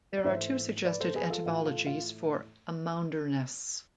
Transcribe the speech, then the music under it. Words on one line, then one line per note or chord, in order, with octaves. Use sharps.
There are two suggested etymologies for Amounderness.
D5
G#2 E3 A3 C5 E5
B4 D5
A4 C5
G#4 B4
F4 A4
A2 E3 A3 F4
F4 A4
F4